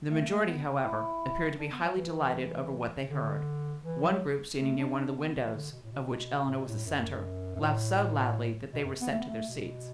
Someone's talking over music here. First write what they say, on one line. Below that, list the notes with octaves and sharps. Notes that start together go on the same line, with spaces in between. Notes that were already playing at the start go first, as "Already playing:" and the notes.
The majority, however, appeared to be highly delighted over what they heard, one group standing near one of the windows, of which Eleanor was the center, laughed so loudly that they were sent to their seats.
A3
A3
B3
E4
D4
B3
F#3
E3
D3
E3
F#3
A3
D4
D4
B3
B2
E3
D3
B2
A2
B2
A2
B2
A2
F#2
F#2
A2
B2
F#2
B3
A3
B3
A3
B2